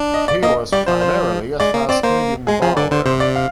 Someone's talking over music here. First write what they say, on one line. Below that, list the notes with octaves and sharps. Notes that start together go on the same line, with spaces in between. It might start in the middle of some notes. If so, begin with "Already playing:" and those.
He was primarily a fast-medium bowler.
Already playing: D4
D#5
D5
A#3 D#5
G3 D5
F3 C5
C5
G#3 D5
A#3
C4 D5
A#3 C5
G#3 G#4
F3 G#4
D3 D5
D3 C5
C3 C5
D5
F5